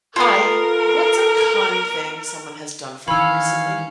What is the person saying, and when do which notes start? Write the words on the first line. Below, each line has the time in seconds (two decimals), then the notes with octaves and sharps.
Hi. What's a kind thing someone has done for you recently?
0.16 B3 F4 A4 A#4
3.08 D#3 E3 C#4 F5 B5 E6